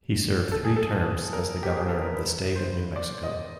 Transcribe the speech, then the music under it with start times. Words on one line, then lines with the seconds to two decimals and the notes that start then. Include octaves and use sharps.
He served three terms as the governor of the state of New Mexico.
0.52 A4
0.65 G#4
0.76 A4
1.33 A#4
1.63 G4
1.76 G#4
1.89 A4
2.02 A#4
2.15 B4
2.56 C5
2.96 D5
3.23 D#5